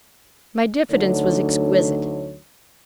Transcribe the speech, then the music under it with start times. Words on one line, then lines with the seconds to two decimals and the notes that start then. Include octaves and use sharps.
My diffidence was exquisite.
0.92 D2 D3 F#3 A3 D#4 C#5